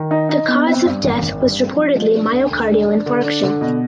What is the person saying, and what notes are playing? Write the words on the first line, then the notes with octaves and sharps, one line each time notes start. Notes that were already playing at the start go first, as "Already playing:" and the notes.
The cause of death was reportedly myocardial infarction.
Already playing: D#3
D#4
D#4
B3
C4
G2
G#1
G#1
G2
C4
F3
F3
D4
D2
D2
D4
D4
D3
D4
D3
B2